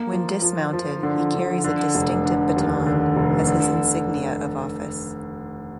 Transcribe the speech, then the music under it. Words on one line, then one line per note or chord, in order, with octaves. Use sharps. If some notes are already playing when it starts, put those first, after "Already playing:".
When dismounted he carries a distinctive baton as his insignia of office.
Already playing: A#3
F3
F3
F3
D3
D3
D3
F1
D3
D#2
D3
F1
D3